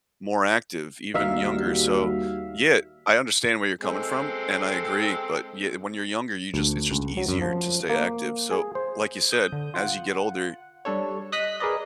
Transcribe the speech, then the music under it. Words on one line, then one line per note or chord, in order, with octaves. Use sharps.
more active, even younger, so, yeah, I understand where you're coming from and I agree, but ye uh, when you're younger, you just it's just easier to stay active, so, like you said, as you get older,
D#2 G3 F#4 E5 F5
G#3 C4 A4
D2
C#2
F#3
F#2
F3
A#3
G#4
C5
D#6 G6
D3
F4 F#5
G3 D4 A4 C#5
D#5 D#6 F#6 B6
G#4 A#4 B4 D5 D#5